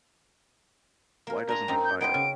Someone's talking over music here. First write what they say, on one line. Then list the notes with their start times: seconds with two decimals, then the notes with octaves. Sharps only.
Why doesn't he fire?
1.27 A#3 A#4
1.48 D4 G#5 A#5 C6
1.68 F#2 C4 D#4 D#5
1.84 G6
2.01 B3 D#4 G4 C5 D7
2.14 C#3